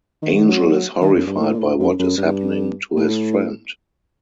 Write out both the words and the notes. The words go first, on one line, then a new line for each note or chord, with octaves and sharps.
Angel is horrified by what is happening to his friend.
D#3
D#3
F#3
D#3
F#2
G2
A2
A#2
A2
F#2
F#2
G2
A2